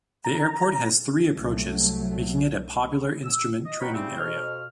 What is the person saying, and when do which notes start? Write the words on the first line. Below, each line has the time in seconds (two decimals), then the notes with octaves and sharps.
The airport has three approaches, making it a popular instrument training area.
0.25 A#5
1.37 C2 F#3 A3
3.24 E6
3.66 D#5
3.81 A#4 C#5 D#5 F#5 G5 B5
3.94 C#3 G3 A3 C4
4.19 F2 B2 F6